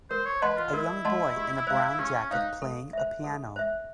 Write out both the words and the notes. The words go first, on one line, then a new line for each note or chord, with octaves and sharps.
A young boy in a brown jacket playing a piano.
A#4 C5
C#5
B4 D#5 F#5 A5 C6
F4
E4 A#4
D#5 F#5 A5 C6
G4
C5 F5
C#4 G4
C#4
D#4 C5 F5
A4
C5 E5
A4
C5 E5